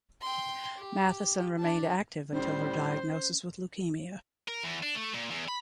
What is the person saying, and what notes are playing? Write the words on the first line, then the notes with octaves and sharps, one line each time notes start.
Matheson remained active until her diagnosis with leukemia.
G5 C6
G4
D4 A5
A2 G3 C#4 C5
A#4
E2
D4
A3
A#2
E2
B5